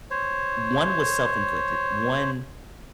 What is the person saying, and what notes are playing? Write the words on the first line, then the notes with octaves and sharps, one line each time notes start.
one was self-inflicted. One,
C5 C#5